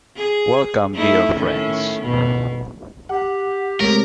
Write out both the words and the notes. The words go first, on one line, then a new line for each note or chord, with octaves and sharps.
Welcome, dear friends.
G#4
A3 D#4 E4
A2 D#3 C#4
B2
G4 F#5
C3 G#3 A3 C4 A#4 C#5